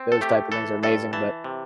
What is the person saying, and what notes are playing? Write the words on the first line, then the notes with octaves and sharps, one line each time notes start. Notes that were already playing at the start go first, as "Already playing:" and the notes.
those type of things are amazing, but
Already playing: C4
A4
A3 G4
E3 A4
G2 A4
E3 A5
C3